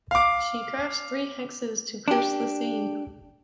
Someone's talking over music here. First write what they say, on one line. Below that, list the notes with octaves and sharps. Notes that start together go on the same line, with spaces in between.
She crafts three hexes to curse the sea.
F5 D6
D4 G4